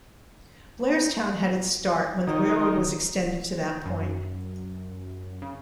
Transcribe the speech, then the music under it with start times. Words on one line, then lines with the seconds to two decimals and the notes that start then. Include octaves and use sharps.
Blairstown had its start when the railroad was extended to that point.
2.27 D#3
3.86 F#2
5.42 C#3